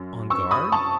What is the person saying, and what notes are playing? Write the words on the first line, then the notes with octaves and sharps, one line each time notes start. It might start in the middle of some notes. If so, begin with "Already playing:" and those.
"On guard?"
Already playing: F#2
C#6 E6
B5 D#6
A5 C#6